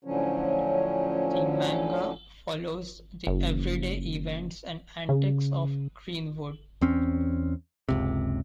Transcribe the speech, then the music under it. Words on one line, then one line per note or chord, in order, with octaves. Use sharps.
The manga follows the everyday events and antics of Greenwood.
A2 D3 F3 F#3 C#4
F#1
C#3
E2 C4 C#4
F#1 C#2 C3